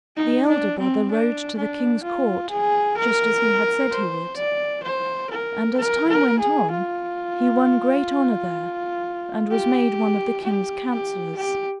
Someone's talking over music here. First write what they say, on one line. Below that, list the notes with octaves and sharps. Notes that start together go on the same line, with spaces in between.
The elder brother rode to the king's court just as he had said he would; and as time went on he won great honor there and was made one of the king's counselors.
D#4
D4
C4
D4
D4
F4
G#4
A#4
C5
D5
C5
A#4
A#4
A#4
G#4
F4
G4
G4
G4
G4